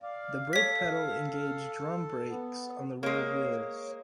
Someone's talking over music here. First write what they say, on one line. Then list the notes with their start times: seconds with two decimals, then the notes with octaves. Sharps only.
The brake pedal engaged drum brakes on the rear wheels.
0.02 D5 F5
0.53 A4 C#5 B6
2.30 B3
3.03 G#3 A#3 C#5